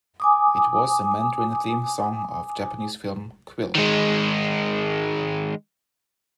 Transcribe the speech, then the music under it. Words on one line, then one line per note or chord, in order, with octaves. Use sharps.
It was the Mandarin theme song of Japanese film, "Quill".
G#5 D6 D#6
D#3 G#3